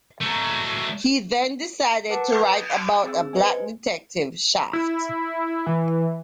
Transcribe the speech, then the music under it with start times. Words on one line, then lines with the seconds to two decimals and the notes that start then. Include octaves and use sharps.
He then decided to write about a black detective, "Shaft".
0.21 F#3 A3
2.10 A#4 B4 F#5 A5 D6 C#7
2.53 D#6 G6
3.03 C4 G#4 E6
3.33 B4 C5 D#5 G#5
4.73 E4
5.66 E3